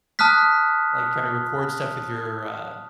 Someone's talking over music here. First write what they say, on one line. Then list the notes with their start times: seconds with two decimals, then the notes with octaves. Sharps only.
like try to record stuff with your, uh,
0.19 A5 D#6 F6 F#6 B6